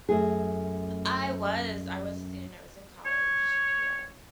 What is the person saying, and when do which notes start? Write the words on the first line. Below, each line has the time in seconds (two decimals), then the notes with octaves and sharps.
I was, I was a student, I was in college. Yeah.
0.09 F#2 A3 G#4
3.06 C#5